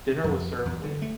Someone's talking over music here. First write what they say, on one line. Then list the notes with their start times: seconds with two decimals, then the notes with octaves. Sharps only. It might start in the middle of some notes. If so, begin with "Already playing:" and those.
Dinner was served late.
0.24 F2
0.66 E2
0.83 D3
1.02 A3